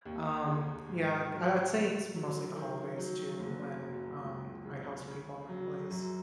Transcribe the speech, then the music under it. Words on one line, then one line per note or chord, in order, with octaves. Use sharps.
Um, yeah, I'd I I'd say it's mostly the holidays too, when, um, I host people in my place,
D#2
C#3
G#2
F#3
C#3
F#3
D#3
F#3
F#1
F#2
C#2
C#3
C#3
F#3
F#2